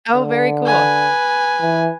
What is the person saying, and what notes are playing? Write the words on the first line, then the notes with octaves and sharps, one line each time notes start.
Oh, very cool.
D3
B4 G#5
E3